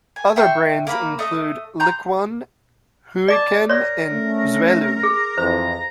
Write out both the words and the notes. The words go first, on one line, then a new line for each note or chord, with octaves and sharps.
Other brands include Liquan, Huiquan and Xuelu.
G#5
E5 G5 C6 C#6
A#3 B5
A3 D#5
A#5 C6 G6
D5 A5 D6
A#4 C#5 D5
A3 C#4
G#4
F2 E3 C5 A#5